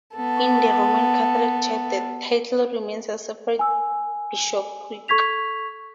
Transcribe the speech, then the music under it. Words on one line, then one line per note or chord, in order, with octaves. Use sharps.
In the Roman Catholic Church, the title remains a separate bishopric.
B3 A4
G#5 E6
A4 C#6 G#6 B6 F7